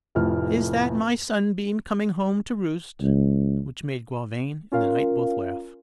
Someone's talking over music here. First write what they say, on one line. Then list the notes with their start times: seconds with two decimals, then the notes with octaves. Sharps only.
"Is that my sunbeam coming home to roost?" which made Gauvain and the knight both laugh.
0.15 F1 F2 A2 F6
3.01 C#2
4.72 C#4 F4 A#4 F5